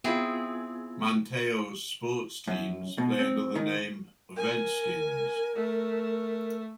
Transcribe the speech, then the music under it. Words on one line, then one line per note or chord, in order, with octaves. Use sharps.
Manteo's sports teams play under the name Redskins.
B3 C4 E4 F4 G#4
F#2
B2
C4
D#3
A#4 G#5
A3